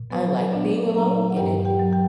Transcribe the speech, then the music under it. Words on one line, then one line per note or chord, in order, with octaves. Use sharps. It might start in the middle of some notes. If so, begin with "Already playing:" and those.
I, like, being alone, and if
Already playing: A#2
F#3 B3 B4
A#2 D4 D5
F#3 A#4 A#5
F#5
G2 G4 G5
G4 G5
F#3
G4 G5